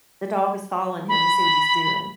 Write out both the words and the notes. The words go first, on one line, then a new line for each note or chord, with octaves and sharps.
the dog is following him to see what he's doing.
B5